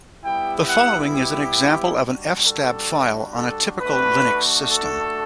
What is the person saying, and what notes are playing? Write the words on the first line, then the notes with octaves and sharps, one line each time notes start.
The following is an example of an fstab file on a typical Linux system.
G3 B3 E4 G4 G5
F#5
G4
G3 D4 F#4
A4
A4
A3 D4 F#4 B4
A4